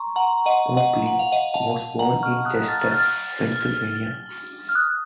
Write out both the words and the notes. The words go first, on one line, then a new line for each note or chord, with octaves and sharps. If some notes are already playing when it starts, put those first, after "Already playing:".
Pompilli was born in Chester, Pennsylvania.
Already playing: A#5 C6 C#6
F#5 A#5
D#5 F#5
D#5 F#5
F#5
F5
D#5 F#5
F5 A5
F#5 A#5
C#6 F6
D#6 F#6
F6 A6
F6 A6
F6
D#6 F#6